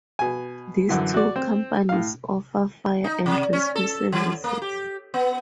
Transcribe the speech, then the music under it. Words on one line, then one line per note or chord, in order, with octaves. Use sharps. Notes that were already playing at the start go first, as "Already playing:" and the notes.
These two companies offer fire and rescue services.
B2 G#5
F#2 D3 E3
F#4 D5
C4
A2 F5
D#4
C3
C#4
A4
E3
A#3
G4
B3